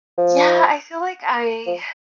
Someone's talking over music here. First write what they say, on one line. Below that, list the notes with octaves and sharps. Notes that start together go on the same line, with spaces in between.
Yeah. I feel like I
F3
F3